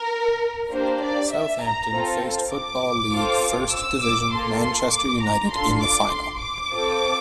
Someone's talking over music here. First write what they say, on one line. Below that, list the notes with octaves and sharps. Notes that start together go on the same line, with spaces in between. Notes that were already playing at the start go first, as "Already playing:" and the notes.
Southampton faced Football League First Division Manchester United in the final.
Already playing: A#4
A#3 D4 G4 C5
D5
E5
A#5
C4 F4 A4
D6
C4 F4 A4
E6
D6
A#3 F4 A4 C6
C6
D6
A#5
D4 F4 A4 C6
D6
C6
D6
C4 F4 A4